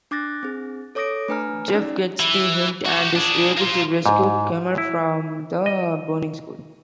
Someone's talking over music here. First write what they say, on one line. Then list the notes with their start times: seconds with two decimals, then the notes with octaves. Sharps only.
Jeff gets the hint and is able to rescue Kemal from the burning school.
0.11 D4 D6 F#6 A6 A#6
0.43 C4 G#4
0.95 A4 C#5 D6 D#6 A#6 D7
1.28 A3 D4 B4 G#5 A#5 F6
1.74 C#4 D#4 D5
2.20 E3
2.85 F#4 G4
3.16 D4 G#4
3.58 A#3 F4
4.06 G#2
4.78 E4
5.66 D#5